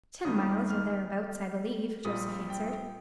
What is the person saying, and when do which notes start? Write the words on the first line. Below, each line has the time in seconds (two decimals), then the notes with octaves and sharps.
"Ten miles, or thereabouts, I believe," Joseph answered.
0.25 D#2 D#3 G3 D#6
0.70 F6
2.04 A#1 A#2 G3 D#6
2.50 G5